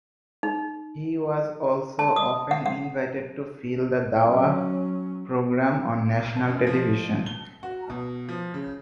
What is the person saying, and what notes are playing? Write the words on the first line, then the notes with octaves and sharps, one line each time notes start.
He was also often invited to fill the dawah programme on national television.
D#4
A5
D#6
F#5
F#5
F#3 C#4
A5
F#2
F3
G7
F#4
B2
F3
C#3